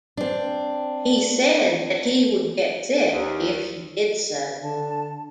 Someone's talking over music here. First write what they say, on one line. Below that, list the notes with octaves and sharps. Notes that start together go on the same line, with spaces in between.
He said that he would get sick if he did so.
C4 D4
D#2
D3 A5